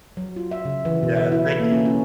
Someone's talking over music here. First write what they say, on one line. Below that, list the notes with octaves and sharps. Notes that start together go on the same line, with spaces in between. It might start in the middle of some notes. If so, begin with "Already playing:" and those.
Yeah, thank you.
F#3
F4
E5
C#3
E3
B2
E5
E4
A4
A#3
C#4
C#4